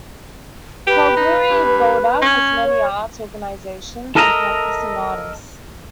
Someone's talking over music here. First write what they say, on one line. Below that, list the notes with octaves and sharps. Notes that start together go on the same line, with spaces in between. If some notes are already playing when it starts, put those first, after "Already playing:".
Kalgoorlie-Boulder has many arts organisations and practising artists.
G4 B4
D#4
G2
C#4
C#5
A4 A#4 D#5 E5 G5 A#5